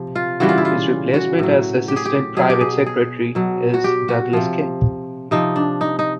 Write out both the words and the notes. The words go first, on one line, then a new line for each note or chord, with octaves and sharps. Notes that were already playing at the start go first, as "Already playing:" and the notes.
His replacement as Assistant Private Secretary is Douglas King.
Already playing: C3 F3
F4
C#3 E3 G3 F#4
F4
E4
F4
F#4
A2 F#3
G4
G#4
G4
B2 F#3 G#4
G4
G#4
G#4
B2 F#3
F#4
G4
F#4
C3 F3
C3 F3 D#4
D4
D#4
D#4